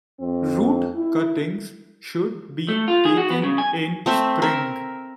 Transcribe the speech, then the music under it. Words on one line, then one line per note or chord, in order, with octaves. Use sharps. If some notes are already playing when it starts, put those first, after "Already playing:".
Root cuttings should be taken in spring.
F2 C4
E4
A3
F4
G#4
F#4
B3
C#3
G#5
A3 C4 C5 E5
A#4 E5